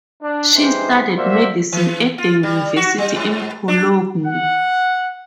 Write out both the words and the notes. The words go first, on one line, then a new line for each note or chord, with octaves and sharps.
She studied medicine at the university in Cologne.
D4
E3 G3 G#3 D#4 C5
A#3 F#4 C5 D5 E5
E3
F4
G3
F#4
G3
G#2
D4
F#5